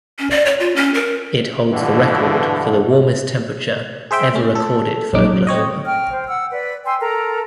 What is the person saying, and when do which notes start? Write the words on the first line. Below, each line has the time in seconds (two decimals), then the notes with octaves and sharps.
It holds the record for the warmest temperature ever recorded for Oklahoma.
0.19 C#4
0.31 D5
0.46 C#5
0.60 F4
0.76 C#4
0.94 A#4
1.73 G2 B2 D3 E3
4.11 G#4 C5 E5 G5
4.34 A3 C#4
4.55 A4
5.13 A#1 F#2 G#3 D#4 D6
5.34 F#2
5.47 C4 C#5 D#5
5.85 G5 F6
6.11 C5
6.27 F#5 E6
6.51 B4 D5
6.86 G5 G#5 C6 E6
6.99 A4 A#4 A#5